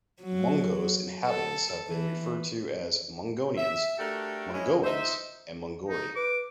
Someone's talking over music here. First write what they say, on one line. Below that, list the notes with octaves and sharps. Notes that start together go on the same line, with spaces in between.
Mongo's inhabitants have been referred to as "Mongonians", "Mongoans", and "Mongori".
F#3
A4
E3
E5
A3 D4 F#4 G4 A4 A#4
G#3 C#4 E4
D#4 C5 E5
D#4
B4 D6